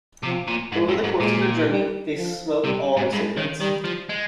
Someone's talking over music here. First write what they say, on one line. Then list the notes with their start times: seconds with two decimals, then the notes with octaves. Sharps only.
Over the course of their journey, they smoke all their cigarettes.
0.24 C3 F3
0.48 A#2
0.72 G#2 G#3
0.88 G2
1.04 G#2
1.20 A#2 G#3
1.69 G3
2.17 F3
2.64 C3 G3
2.97 G#2
3.12 G2 G#3
3.37 D#3
3.60 D#3 G3
3.84 F3
4.09 G#3